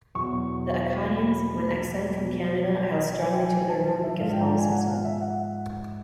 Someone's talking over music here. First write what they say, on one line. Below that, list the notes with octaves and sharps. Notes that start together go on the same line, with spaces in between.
The Acadians, when exiled from Canada, held strongly to their Roman Catholicism.
E2 B2 F#3 C#6
B5
B2 F#3
G#5
G5
G#5
G#5
A5
A5
E5
G#2 F3 G#3 F5
G5
A#5
A5
G#5
F#5
F5
E5
F#5